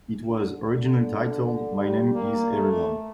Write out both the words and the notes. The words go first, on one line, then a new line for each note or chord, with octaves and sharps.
It was originally titled "My Name is Everyone".
D3
D3
G3
A#3
A3